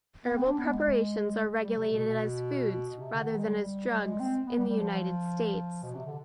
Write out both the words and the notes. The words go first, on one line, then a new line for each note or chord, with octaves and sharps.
Herbal preparations are regulated as foods, rather than as drugs, in the United States.
B3
C4
D4
B3
G#3
G3
C3
B2
B2
C3
D3
D#3
G#3
G3
G3
G#3
C4
B3
G3
G3
F3
B2
C3
D3